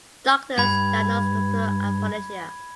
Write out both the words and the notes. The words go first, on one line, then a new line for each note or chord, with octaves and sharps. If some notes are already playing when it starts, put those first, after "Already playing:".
Doctors diagnosed total alopecia.
G2 B5 G#6